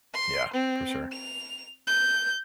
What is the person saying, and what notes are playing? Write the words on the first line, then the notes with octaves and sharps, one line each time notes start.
Yeah. For sure.
C6
C4
F7
G6